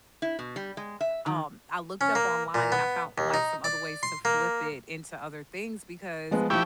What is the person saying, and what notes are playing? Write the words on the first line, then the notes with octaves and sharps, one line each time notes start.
um, I looked up online, and I found, like, some other ways to flip it into other things because
E4
B2
G3
G#3
E5
D#3
C#4
A#3
A#2
B3
D#2
D#4
D5
C6
A#3
F3 G#3 B3
F3 E4 G4 C#6